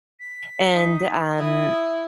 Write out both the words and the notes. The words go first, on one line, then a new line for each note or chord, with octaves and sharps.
and, um,
B6
D#4
E4 D#6